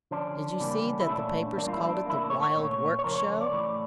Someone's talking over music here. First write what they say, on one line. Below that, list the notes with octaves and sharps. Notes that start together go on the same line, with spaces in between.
Did you see that the papers called it the "Wild Work Show"?'
D3 F3 C#4 D4
C#3 E3 G3 A#3 C#4
E4
A#2 A3 C#4 D4
E3 G3 A#3 D4
F4
E4
D4
A2 E3 A#3 E4
D4
C#5
C#5
A#2 A3 C#4
C#5
C#3 F3 C#4 A#4
C#5
D5
A2 E3 A3